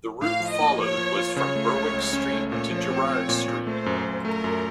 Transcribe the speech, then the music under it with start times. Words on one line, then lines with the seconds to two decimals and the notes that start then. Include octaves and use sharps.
The route followed was from Berwick Street to Gerrard Street.
0.21 A2 F5
0.40 F3
0.50 D#5
0.60 A#3
0.79 F3 C#5
0.98 F3
1.17 F4
1.36 C#3 C#5
1.56 A3
1.75 C#2
1.94 C#2
2.13 C#4
2.33 A3
2.51 A#2 C#5
2.71 F3
2.90 C4
3.09 C4
3.29 A#2
3.48 A#2
3.66 A3 C5
3.86 F#2
4.05 F#2
4.25 A3 A#4
4.44 F#2